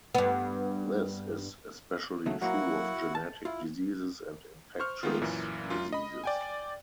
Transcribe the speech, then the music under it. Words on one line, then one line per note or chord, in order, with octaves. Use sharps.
This is especially true of genetic diseases and infectious diseases.
G2 B3
C#3 F#3 A3
F#3 A#3 E4 F#4 F#5
A5
E4 F4
C5 C#6 F6
D#3 G#3 A3 B3 F4
F#2 A#2 E3
F#2 F4
D#5 B5
D5 G5 G#5